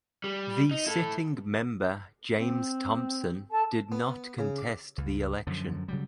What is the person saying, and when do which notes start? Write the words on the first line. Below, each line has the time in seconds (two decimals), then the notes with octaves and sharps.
The sitting member James Thompson did not contest the election.
0.24 G3
0.71 D#4
0.87 E4 A4
2.39 C4
3.50 A4 A5
3.92 B3
4.39 C#3
4.58 D6
4.98 C#2
5.47 F#2 D3 F3
5.88 C#3 F#3 G3